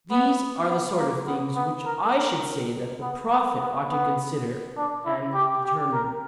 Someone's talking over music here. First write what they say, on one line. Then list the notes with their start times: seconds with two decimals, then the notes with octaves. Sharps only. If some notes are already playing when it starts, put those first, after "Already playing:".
These are the sort of things which I should say that the prophet ought to consider and determine.
0.11 B3
0.69 B3
0.98 A#3
1.27 B3
1.56 B3
1.86 A#4
2.15 A#4
3.02 B3
3.31 A#3
3.61 B3
3.89 B3
4.77 D4
5.06 E4
5.34 G4
5.64 G4
5.93 A#4